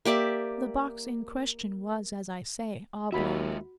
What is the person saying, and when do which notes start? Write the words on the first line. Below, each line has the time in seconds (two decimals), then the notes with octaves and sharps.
The box in question was, as I say, oblong.
0.05 A#3 G4 D5 E5
3.12 D#2 G#3 F4 F#4 E5 B5